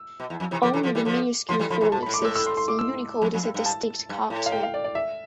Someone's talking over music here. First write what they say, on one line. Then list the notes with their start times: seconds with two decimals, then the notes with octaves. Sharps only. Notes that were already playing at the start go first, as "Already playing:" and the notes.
Only the minuscule form exists in Unicode as a distinct character.
Already playing: E6
0.20 B2
0.30 E2
0.40 F2
0.51 C3 E3
0.62 D3 F3 D6
0.73 C3 E3
0.83 D3 F3
0.95 E3 G3
1.05 D3 F3
1.49 D3 F3 C6
1.59 E3 G3
1.70 D3 F3 B5
1.81 C3 E3
1.92 C3 A5
2.03 B5
2.06 A2
2.14 D6
2.21 A2 E6
2.35 E6
2.46 C6
2.57 C6
2.68 D6
2.79 E6
3.22 F2
3.34 F2
3.43 G2
3.54 G2
3.66 A5
4.09 G2
4.30 A2
4.46 F5
4.52 G5
4.63 F5
4.74 D5
4.84 D5
4.95 E5